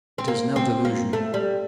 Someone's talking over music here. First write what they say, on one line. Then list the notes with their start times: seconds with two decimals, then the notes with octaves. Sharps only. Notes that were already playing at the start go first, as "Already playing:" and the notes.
It is no delusion.
0.18 C4
0.28 A#3
0.56 C4
0.85 A#3
1.13 A3
1.34 G3